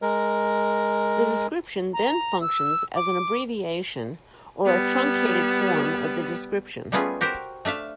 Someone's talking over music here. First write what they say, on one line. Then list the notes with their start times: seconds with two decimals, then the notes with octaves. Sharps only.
The description then functions as an abbreviation or a truncated form of the description.
0.02 G#3 A#4
1.93 A#5
2.41 E6
2.95 D6
4.65 G3 B3
6.92 G3 A3 B3 C#4 F4 G#4
7.21 F#4 G4 A#4 C5
7.65 A3 D4 E5 F5